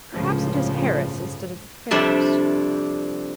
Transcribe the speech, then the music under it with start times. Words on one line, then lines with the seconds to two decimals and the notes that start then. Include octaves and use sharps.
"Perhaps it is Harris instead of Ferris."
0.14 G1 C#2 A2 C#3 F3
1.91 F2 C3 G3 D4 E5